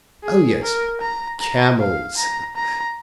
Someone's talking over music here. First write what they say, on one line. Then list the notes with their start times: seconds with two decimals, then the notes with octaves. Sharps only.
Oh yes, camels.
0.24 G#4
0.62 A#4
1.01 A#5
1.40 A#5
1.78 F5
2.17 A#5
2.56 A#5